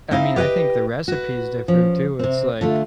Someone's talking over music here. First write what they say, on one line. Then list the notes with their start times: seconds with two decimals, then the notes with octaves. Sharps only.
I mean, I think the recipes differ too. It's like,
0.11 C4 D#4 E4 F5
0.36 G4 B4 C#5 D#5 G5
1.08 F#4 B4
1.68 F3 C#4
2.19 C3 C4
2.61 D3 A3 F4